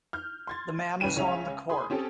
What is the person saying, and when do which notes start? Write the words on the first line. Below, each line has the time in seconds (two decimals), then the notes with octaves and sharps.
The man is on the Court.
0.13 F6 G6
0.47 C6 G#6 A6
1.00 C2 C#4 B4 G5 D#7 E7
1.16 C#2 C#3 C#4 E5 F7
1.69 G#4 B5 C6 D#6
1.90 C4 C#4 G4 A4